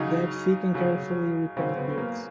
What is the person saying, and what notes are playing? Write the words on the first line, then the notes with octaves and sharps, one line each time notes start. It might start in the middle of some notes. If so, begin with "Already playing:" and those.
They have thick and carefully repaired beards.
Already playing: C#3 F#3 D#4
C#3 F#3
C#3 F#3 C4
B3
A#3